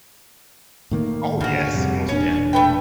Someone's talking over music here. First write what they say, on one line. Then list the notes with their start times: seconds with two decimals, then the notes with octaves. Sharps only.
Oh yes, most definitely.
0.91 A2 D#3 A#3
1.40 D2 A2 C#3 F#4
1.75 F2 C3 G3
2.09 E1 A#2 C#4 D4
2.53 A3 B4 G5